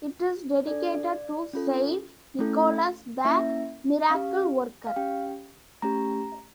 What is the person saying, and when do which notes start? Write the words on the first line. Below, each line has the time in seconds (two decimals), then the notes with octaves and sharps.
It is dedicated to Saint Nicholas the Miracle-Worker.
0.67 D4 A4 D5
1.53 C#4 F4 A4
2.39 A3 C#4 E4 A4
3.25 A#3 C#4 E4 E5
4.10 C#4 G4 F5
4.87 F5
4.96 C#4 G4 G5
5.82 A3 C#4 G4 A#5